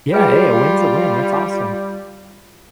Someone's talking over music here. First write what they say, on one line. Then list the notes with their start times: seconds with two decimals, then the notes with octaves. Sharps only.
Yeah, hey, a win's a win. That's awesome!
0.12 G3 F4 G#4 B4 G5